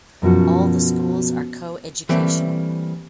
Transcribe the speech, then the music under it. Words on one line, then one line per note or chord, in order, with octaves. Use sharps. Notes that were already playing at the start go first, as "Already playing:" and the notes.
All the schools are coeducational.
F#2 B2 F3 F#4
E3 G3 A3 A#3 C4